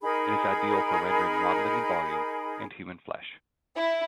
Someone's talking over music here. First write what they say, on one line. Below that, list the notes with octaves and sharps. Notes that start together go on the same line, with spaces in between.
It is ideal for rendering modeling and volume, and human flesh.
D#4 G#4 A#4 B5
E4